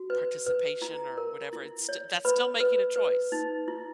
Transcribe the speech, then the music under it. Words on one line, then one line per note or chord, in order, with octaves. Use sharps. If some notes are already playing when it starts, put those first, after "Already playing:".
"Non-participation," or whatever. It's st that's still making a choice.
Already playing: F#4
B4
B4
E4 A#5
A#4
E4
C#5
B4 B5
B4
B4
D#4
E4